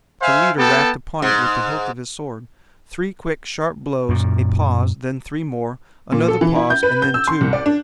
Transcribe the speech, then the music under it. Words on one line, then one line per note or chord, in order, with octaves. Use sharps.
The leader rapped upon it with the hilt of his sword--three quick, sharp blows, a pause, then three more, another pause, and then two.
C5 E5 F5 G#5
B3 A4 G5 A5
G#2
F#2 A#2
A#2
A4
E3
E4
G6
B4
G6
E6
C6
C2
D5
D4